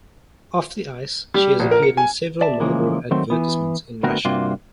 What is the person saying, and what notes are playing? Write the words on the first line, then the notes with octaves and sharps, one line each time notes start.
Off the ice, she has appeared in several Marlboro advertisements in Russia.
G3
A#1
A#4
C#7
G#5
D5 E5 A5
C#3 E3 F3 G#3 A#3
D#3 F#3 A3 C4
E3 B3
D3 A3 B3 C4 F#4 A#4
G2 C3 A#3 F4 F#4 C6